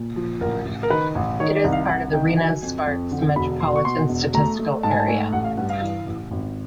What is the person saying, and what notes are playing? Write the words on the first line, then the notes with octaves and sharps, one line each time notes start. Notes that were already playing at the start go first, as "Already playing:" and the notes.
It is part of the Reno-Sparks Metropolitan Statistical Area.
Already playing: A#2
F3
A1 A#4
A1
A#4
D#3 B4
A1
D#3 C#5
D5
C2
F5
C2 F#5
D#3 G5
F#3 G#5
F2
F2
D3
E1 B5
B2 C6
C#6
B2 C6
E1
A3 A#5
A3
G#2 A5
G#5
A5
A3 G#5
A1 F#5
F5
G2 F#5
F5
E3
A1
G#1